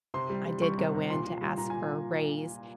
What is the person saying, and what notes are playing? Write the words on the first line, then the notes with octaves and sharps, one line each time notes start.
I did go in to ask for a raise,
C3 C6
G3
G3
G3 C#6
C3
C3
A#2 C6
A#2
G3
A#2 A#5
G#5
A#2